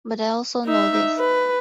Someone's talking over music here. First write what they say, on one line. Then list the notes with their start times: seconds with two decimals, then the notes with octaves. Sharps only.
But I also know this.
0.65 D#4 E5
1.18 B4